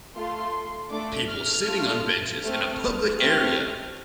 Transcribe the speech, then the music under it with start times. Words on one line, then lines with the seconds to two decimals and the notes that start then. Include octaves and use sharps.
People sitting on benches in a public area.
0.16 A3 F4 A4 C6
0.91 A3 D4 A4 D6
1.29 F6
1.66 A3 F4 A4
2.42 A3 C4 A4 F6
3.17 A3 C4 G4 F6